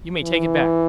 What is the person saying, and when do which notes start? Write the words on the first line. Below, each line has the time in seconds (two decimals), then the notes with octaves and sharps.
You may take it back!'
0.23 E3